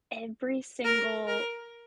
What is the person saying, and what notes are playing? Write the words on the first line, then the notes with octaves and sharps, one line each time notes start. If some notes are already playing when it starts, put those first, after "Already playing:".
every single
A#4
A#4